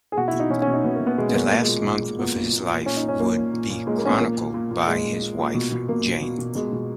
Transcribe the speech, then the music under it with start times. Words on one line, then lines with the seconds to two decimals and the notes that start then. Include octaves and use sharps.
The last month of his life would be chronicled by his wife, Jane.
0.12 G#4
0.17 B2 F#4
0.28 E4
0.34 B2
0.40 D#4
0.50 B2 C#4
0.62 C#4
0.67 B2
0.73 D#4
0.84 B2 B3
0.95 A#3
1.00 B2
1.07 B3
1.18 B2 G#3
1.29 B3
1.34 B2 A#3
1.52 A#2 A#3
1.62 G#3
1.68 A#2
1.82 A#2 G#3
2.02 A#2
2.19 A#2 B3
2.36 A#2
2.53 A#2
2.69 A#2
2.86 A#2 C#4
2.97 D#4
3.03 A#2
3.08 C#4
3.19 A#2 A#3
3.36 A#2
3.53 A#2
3.70 A#2
3.87 A#2 G#3
3.98 A#3
4.04 A#2 C#4
4.09 B3
4.20 A#2 A#3
4.37 A#2
4.54 A#2
4.71 A#2
4.87 A#2 G#3
5.05 A#2
5.22 A#2
5.39 A#2
5.54 B2
5.72 B2
5.89 B2 A#3
6.06 B2
6.22 B2
6.39 B2
6.55 B2 G#3
6.73 B2